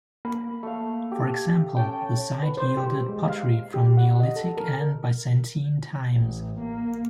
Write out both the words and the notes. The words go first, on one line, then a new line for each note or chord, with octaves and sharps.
For example, the site yielded pottery from Neolithic and Byzantine times.
A#3 B5
A3 F5
G4
C#4 G5 A5
B4
C5
G4
G#3
F5
G4
F#5
D#5
A4
A#4
A1
A#3